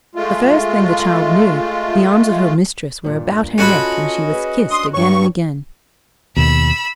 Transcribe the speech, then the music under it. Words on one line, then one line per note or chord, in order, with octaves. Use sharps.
The first thing the child knew the arms of her mistress were about her neck and she was kissed again and again.
G#3 A3 F4
G2 A#2
C#4 F4 F#4 A4 D#5 A5 B5
G#4 B4
D4 C6 D#6
G2 C#5 C#6
D#2 B2 B5 E6